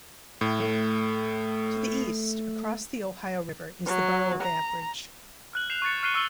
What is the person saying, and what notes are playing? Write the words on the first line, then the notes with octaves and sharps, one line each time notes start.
To the east, across the Ohio River, is the borough of Ambridge.
A2
A3
F#3
A#5
F6 F#6 F#7
G6 C7 E7 F7
C#6 G#6 A6 C#7
F6 F#6 C7 D#7 G7
C#6 E6 F6 A6 G7